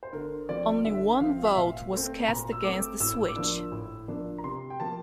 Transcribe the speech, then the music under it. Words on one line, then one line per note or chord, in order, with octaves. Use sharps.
Only one vote was cast against the switch.
C5
D3 A#4
F3 C4 D5
D3 E5
F3 C4 F5
E5
A#2 F5
A3 C4
A#2 A#5
E6
A3 C4 D6
A2 E6
D6
F3 A#3 D4 E6
A2
F3 A#3 D4
A#5
C3 C6
G5
F3 A#3 A5